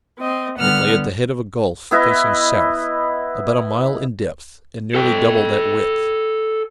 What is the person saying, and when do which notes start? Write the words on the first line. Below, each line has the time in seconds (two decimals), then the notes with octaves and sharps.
It lay at the head of a gulf facing south, about a mile in depth and nearly double that width.
0.18 C4 D#5
0.58 D3 G3 B3 F#5 F6
1.91 B3 E4 B4 D#5
4.95 A4 G5